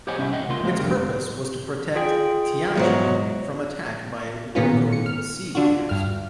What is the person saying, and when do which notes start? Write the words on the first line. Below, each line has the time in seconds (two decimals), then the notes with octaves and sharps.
Its purpose was to protect Tianjin from attack by wokou sea raiders.
0.07 G4 C5 C#5 D#5 F#5 G#5
0.18 C2 C#4 E4 E5
0.33 D#5 E5 F#5 G5
0.48 C#2 A#3 F4 C6
0.63 F3 G#3 A#3 C5 F5
0.79 C2 F2 D3 G4 A#4
1.95 F4 G#4 G5
2.75 E2 G#2 F#3
4.55 A#2 D#3 A#3 B3 C#4 F4
4.93 C#7
5.06 F6
5.55 D3 D4 F4 F#4
5.89 G2 F6